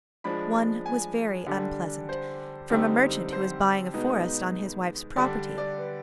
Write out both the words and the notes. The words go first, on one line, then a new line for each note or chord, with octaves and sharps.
One was very unpleasant, from a merchant who was buying a forest on his wife's property.
F3 G#3 D4 B5
G#5
D3 G3 D4
C5
D3 G3 C4 D#4
C5
B2 G#3 B3 D#4
D3 G3 D4 D5
D5
B4